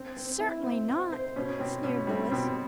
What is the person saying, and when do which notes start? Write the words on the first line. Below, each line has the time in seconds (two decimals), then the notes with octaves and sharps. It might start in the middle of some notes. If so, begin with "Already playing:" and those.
"Certainly not," sneered Louis.
Already playing: C4
0.17 C4
0.40 E4
0.64 C4
0.89 C4
1.12 C5
1.36 B2 C#4
1.59 B2 C4
1.84 B2 C#4
2.07 G3 C4
2.32 B2 C4